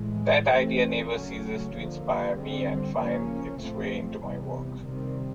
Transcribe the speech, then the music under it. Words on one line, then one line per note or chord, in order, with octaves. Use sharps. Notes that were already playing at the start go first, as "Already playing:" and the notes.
That idea never ceases to inspire me and find it's way into my work.
Already playing: A2 E3 G#3
E3 A3 C4
C#3 F#3 A3 C#4
D3 F3 A#3
D3 G3 C4
C#3 F3 A#3 C#4
A#2 F3 A3 C4
C3 E3 G3 B3
C3 D#3 G3 C4